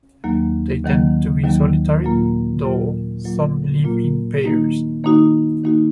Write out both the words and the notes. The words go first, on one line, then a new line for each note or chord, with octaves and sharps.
They tend to be solitary, though some live in pairs.
D#2 D#3 F#3 A#3
D#2 D#3 F#3 A#3
D#2 D#3 F#3 A#3
A#2 F#3 A#3 F4
A#2 F#3 A#3 F4
A#2 F#3 A#3 F4
A#2 F#3 A#3 F4
D#3 A#3 D#4 F#4
D#3 A#3 D#4 F#4
D#3 A#3 D#4 F#4